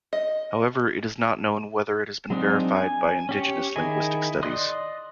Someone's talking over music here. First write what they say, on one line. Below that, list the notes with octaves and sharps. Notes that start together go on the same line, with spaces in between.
However, it is not known whether it has been verified by Indigenous linguistic studies.
D#5
F#3 G#3 C4 D4 D#4
G#5
C#4 G4 C#5
D#3 E4 G#4 D#5 G#5
D5 D#5 C6 D#6 F#6